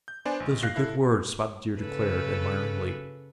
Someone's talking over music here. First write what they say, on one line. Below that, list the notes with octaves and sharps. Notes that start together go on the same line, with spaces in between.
"Those are good words," Spotted Deer declared, admiringly.
G6
B3 D4 C5 D5 G#5
A1
F5 F#6 A#6 C7
E4 A4
C#3 A4 B4